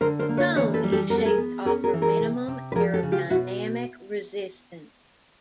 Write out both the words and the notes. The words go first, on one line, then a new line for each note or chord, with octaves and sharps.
The cone is shaped to offer minimum aerodynamic resistance.
D3 A#4 C5
A#4 C5
A#3
B4 C#5
E3 B4 C#5
A4 B4
G3
G4 A4
B3 A#4
A4
G#4 A#4
B3
C#4 G#4 A#4
G#4 A#4
E3
G#4 A#4
C3
C3
B4
F3 G#4 A#4
G4 A4
C#3
F4 G4
B2 E4 F#4